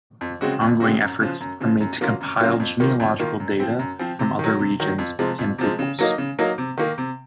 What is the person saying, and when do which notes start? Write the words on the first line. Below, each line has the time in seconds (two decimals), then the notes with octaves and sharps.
Ongoing efforts are made to compile genealogical data from other regions and peoples.
0.21 F2
0.41 C#3 G#3 C4 F#4
0.61 F2
0.80 C#3 G#3 C4 F#4
1.01 F#2
1.21 C#3 F3
1.40 F#2
1.61 C#3 F3
1.80 F#2
2.01 C#3 F#3 A#3 F4
2.20 F#2
2.40 C#3 F#3 A#3 F4
2.60 F2
2.80 D#3 A#3 F4
3.00 F2
3.20 D#3 A#3 F4
3.40 F#2
3.60 F3 C4
3.79 F#2
3.99 F3 C4
4.19 C3
4.39 D#3 F#3
4.59 C3
4.80 D#3 F#3
4.98 F2
5.19 C3 F3 G#3
5.39 F2
5.58 C3 F3 G#3
5.79 C#3
5.99 F#3 A#3 D#4
6.18 C#3
6.39 F#3 A#3 D#4
6.58 C3
6.77 D#3 A#3
6.98 C3